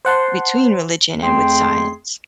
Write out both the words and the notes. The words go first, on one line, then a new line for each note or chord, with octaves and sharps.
between religion and with science.
C5 F#5 A5 C6
F2 A3 C4 G#4 G5 C6